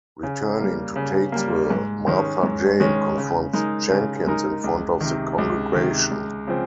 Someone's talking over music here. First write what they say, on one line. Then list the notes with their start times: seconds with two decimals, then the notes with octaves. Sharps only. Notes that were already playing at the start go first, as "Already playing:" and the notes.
Returning to Tatesville, Martha Jane confronts Jenkins in front of the congregation.
0.23 C#3
0.60 G3 A#3
0.96 C#3
1.32 G3 A#3
1.70 G#2
2.07 D#3 G#3 C#4
2.43 G#2
2.80 D#3 G#3 C#4
3.17 C#3
3.53 G#3 D#4 A#4
3.90 C#3
4.27 G#3 D#4 A#4
4.64 C#2
5.01 C3 D#3
5.38 C#2
5.75 C3 D#3
6.11 C#2
6.47 C#3 F3 C4